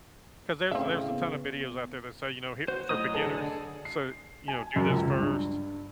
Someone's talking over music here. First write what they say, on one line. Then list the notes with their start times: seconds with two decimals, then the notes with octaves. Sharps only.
'Cause there's there's a ton of videos out there that say, you know, "Here" for beginners, so, you know, "Do this first."
0.71 A2 C#3 C4 C5 D5 E5 F5
1.09 B3
2.68 F#4 C5
2.89 A2 F#3 D#5 D#6
3.14 G#4 A4
3.27 D3 D5
3.85 C7
4.48 G#5
4.76 F#2
4.89 C#2
5.19 G2